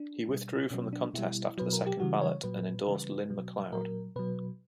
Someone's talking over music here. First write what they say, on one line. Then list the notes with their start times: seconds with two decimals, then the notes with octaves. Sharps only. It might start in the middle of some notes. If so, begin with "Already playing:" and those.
He withdrew from the contest after the second ballot, and endorsed Lyn McLeod.
Already playing: D4
0.27 B2 G3
0.71 B2 F#3 C#4
0.93 D4
1.13 B2 G3 E4
1.58 B2 F#3 B4
1.73 A#4
1.86 G4
2.00 C#3 E3 G3 F#4
2.21 C#5
2.43 A#2 F#3 B4
2.86 C#3 E3 G3
3.30 B2 F#3
3.72 A#2 F#3 A#4
4.16 B2 F#3 B4